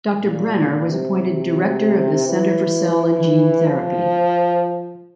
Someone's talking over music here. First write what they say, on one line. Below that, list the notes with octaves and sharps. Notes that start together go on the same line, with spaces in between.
Doctor Brenner was appointed Director of the Center for Cell and Gene Therapy.
A#2
C3
E3
F3